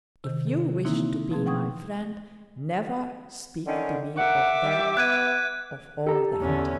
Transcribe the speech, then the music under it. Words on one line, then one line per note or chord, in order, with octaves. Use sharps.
If you wish to be my friend never speak to me of that... of all that!
C3 D#3
A4
D3 E3 A#3 C4 D#4 E4
B2 F3 A3 C4 G#4
F3 F#5 G5 C#6 D#6 G#6
D3 D#3 C#4
A#4 E5 F#5 D6
G3
B3 F#6 G#6 D#7
G4 A4 A#5
E2 D3 C#4